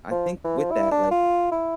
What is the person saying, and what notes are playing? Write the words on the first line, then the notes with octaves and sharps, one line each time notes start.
I think with that, like,
F3
E3
F3
E4
D4
F4
E4